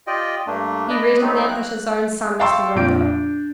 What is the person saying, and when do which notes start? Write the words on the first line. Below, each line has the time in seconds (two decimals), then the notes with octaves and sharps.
He read in them that his own son was the robber.
0.07 F4 G4 D5 D#5 G5
0.47 G2 A3 A#3 D4
0.90 B4 D5 D#5
1.22 F#3 A3 B3 C4 D#4
1.48 F#6
2.39 F5 G5 A5 C6 C#6 E6
2.75 F2 A#2 F3 D4 G6 D7
3.02 D4